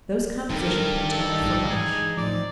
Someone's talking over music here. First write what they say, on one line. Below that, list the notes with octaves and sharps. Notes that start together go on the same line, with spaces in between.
Those compositions would atone for much.
G2 D#3 G3 A4 A#4
D#4 A4
A#1 G#2 F3
E3 G#3 G#4
A2 F3 C4 D#4 D5